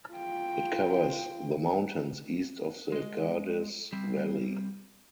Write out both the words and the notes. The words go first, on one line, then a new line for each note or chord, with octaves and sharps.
It covers the mountains east of the Gardez valley.
F4 G5
G#3 D#5
G3 C4